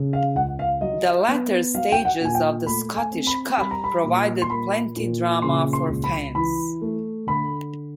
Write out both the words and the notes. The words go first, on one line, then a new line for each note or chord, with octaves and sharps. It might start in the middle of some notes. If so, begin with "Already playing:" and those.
The latter stages of the Scottish Cup provided plenty drama for fans.
Already playing: C#3
F5
C#2 F#5
F5
F#3 D#5
B3
F#3 F5
G5
F#5
A#2 G#5
G5
A3 B5
G#5
C4
B5
G3 B5
A#5
B5
A#2
C6
A#3 B5
A#2
C#3 C6
C6
C#2
B5
E3 B5
A3
D3 B5